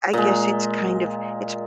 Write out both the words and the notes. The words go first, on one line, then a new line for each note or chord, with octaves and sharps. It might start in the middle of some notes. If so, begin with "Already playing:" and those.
I guess it's kind of, it's
A#2 G#3